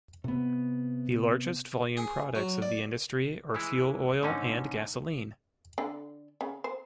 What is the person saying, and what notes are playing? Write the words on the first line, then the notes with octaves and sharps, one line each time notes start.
The largest volume products of the industry are fuel oil and gasoline.
C3 B3
G#4
F#3
D5
E3 G#3 E4
G#2 D3 C4 C#4 D#4
D3
C#3
C5